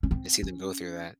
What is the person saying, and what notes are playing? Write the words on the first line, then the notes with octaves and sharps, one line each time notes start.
And to see them go through that.
C#4
C4
C#4